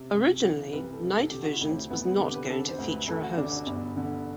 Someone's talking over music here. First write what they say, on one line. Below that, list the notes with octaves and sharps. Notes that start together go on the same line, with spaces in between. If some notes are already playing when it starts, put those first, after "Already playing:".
Originally, "Night Visions" was not going to feature a host.
Already playing: C3
C2
E3
C2 B4
A4
C3
A4
D3 G4
F#4
E4
D2
C4
D2 B3
B3
D3 G4
B4
D3 A4
C5
D2
B4
D2 A4
F#4
D3 D4
D4
G1
D3